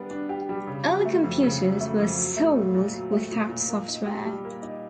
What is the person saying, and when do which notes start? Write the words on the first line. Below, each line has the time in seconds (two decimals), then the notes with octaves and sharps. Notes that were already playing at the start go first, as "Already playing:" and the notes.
Early computers were sold without software.
Already playing: G3 B3 D4
0.11 D4
0.29 G4
0.49 G3
0.67 C#3
0.87 F#3
1.05 A3
1.24 F2
1.43 C#3
1.62 F#3
1.80 A3
2.00 F2
2.18 F#3
2.37 A3
2.56 A#2
2.74 A#2
2.94 F#3
3.12 A3
3.32 A#2
3.49 A#2
3.69 A#3
3.88 D#4
4.06 G4
4.25 G3
4.45 A#3
4.63 D#4